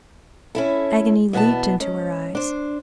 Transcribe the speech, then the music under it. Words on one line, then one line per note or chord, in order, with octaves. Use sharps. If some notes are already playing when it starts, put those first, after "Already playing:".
Agony leaped into her eyes.
C#4 E4 A4
E2 B2 B3 G4 A5
G#2 C#4
D4 C5